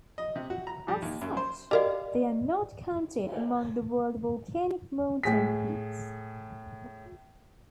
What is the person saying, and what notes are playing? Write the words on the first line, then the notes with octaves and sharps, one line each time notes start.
As such, they are not counted among the world volcanic mountain peaks.
D#5
C3
F#4
A#5
G3
D#2
F#2
C5
F#4 G4 A#4 D5 D#5 F5
A2 G#4 B6